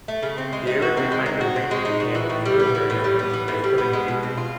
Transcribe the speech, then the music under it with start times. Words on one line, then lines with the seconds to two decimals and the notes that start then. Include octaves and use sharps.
The area behind the breach became, in military terms, a "killing field".
0.08 A3
0.23 C#3
0.38 C4
0.53 G#3
0.67 D#4
0.82 F#4
0.97 C4
1.12 G#3
1.26 D#4
1.41 F#4
1.56 C4
1.71 G#3
1.85 D#4
2.00 F#4
2.15 E3
2.30 A2
2.45 G3
2.60 B3
2.75 E3
2.90 A2
3.04 G3
3.19 B3
3.33 E3
3.48 A2
3.64 G3
3.78 B3
3.93 G#3
4.08 B2
4.23 C4
4.37 F4